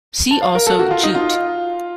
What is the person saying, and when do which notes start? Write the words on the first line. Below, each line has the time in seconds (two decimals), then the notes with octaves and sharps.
See also Jute.
0.31 A5
0.42 F5
0.55 A#4
0.67 A4
0.79 F#4
0.91 F4
1.03 D#4
1.15 F4